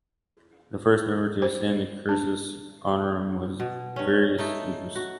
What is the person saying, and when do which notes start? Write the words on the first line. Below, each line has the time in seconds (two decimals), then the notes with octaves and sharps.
The first member to ascend the "cursus honorum" was Virius Lupus.
1.42 C5
2.09 D4
3.60 B2
3.96 G2 C#4
4.38 A3 D#4
4.96 F#4